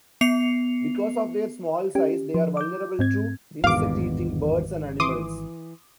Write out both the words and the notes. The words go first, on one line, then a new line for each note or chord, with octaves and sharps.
Because of their small size, they are vulnerable to insect-eating birds and animals.
B3 C7 C#7 F7
C#4 G4
F3
D6 G6
G#2 C4 G#6
G#1 E2 G2 B2 F5 D6
E3 C6 D6 D#6